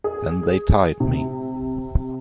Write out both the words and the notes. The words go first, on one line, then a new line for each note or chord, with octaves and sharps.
Then they tied me.
G#4
C3